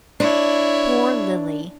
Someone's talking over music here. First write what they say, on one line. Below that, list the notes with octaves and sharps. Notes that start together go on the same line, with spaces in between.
Poor Lily!
D4 E4 C#5